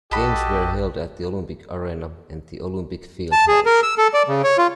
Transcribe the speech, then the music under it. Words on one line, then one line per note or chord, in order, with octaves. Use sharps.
Games were held at the Olympic Arena and the Olympic Fieldhouse.
A#1 F#4 G4 A4 D#5 B5
A5
G#4
A#4
E6
A4
D5
C#3
C#5
F4